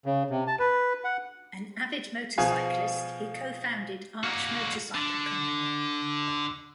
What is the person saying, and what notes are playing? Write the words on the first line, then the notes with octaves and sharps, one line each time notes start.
An avid motorcyclist, he co-founded Arch Motorcycle Company.
C#3
C3
A5
B4
F#5
B2 F3 F4 G#4 F5 G#5
A#3 F#4
D3